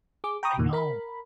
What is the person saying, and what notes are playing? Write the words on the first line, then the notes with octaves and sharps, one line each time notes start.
I know.
G#4 D6
G5 A#5 B5 C#6 D#6
E2 A#2 D#3
A#4 B5